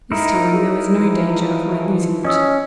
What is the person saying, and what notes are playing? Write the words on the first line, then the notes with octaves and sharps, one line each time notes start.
This time there was no danger of my losing it.
D#4 E4 A#4
G#4
E3 F3
C#4 D#5 D#6 E6